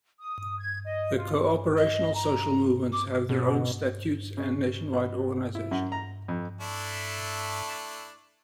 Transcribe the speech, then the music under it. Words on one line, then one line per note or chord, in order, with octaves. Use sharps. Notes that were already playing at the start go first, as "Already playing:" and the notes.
The cooperational social movements have their own statutes and nationwide organization.
D#6
G#6
D#5
F4
D#5
A#5
D6
B2
C#3
B2
E4
F#2
A#5
F2
A3 D4 E4